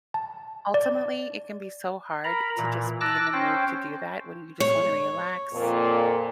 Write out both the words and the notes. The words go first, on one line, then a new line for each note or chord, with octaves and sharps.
ultimately, it can be so hard to just be in the mood to do that when you just wanna relax
A5
D5
A#4 A#5 B5
A#2 E3
A5 D6 E6 F#6 A#6
C#4 C5 G5
C#5
F2 A#2